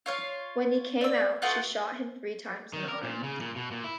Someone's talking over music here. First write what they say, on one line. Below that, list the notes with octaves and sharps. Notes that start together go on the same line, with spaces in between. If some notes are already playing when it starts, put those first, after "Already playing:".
When he came out, she shot him three times in the arm.
F4 C#5 F5
D5 E6
A3 B3 F4 F#4
D#3
A#4
A#2
C#3
A#2
B2
A#2
E4